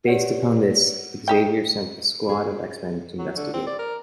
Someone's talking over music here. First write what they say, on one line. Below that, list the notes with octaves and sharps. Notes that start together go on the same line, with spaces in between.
Based upon this, Xavier sent a squad of X-Men to investigate.
G4 B4 C#5 D5 F#5
D#4 G4 G5
G#4
F#3
D3
C4
D5
A#4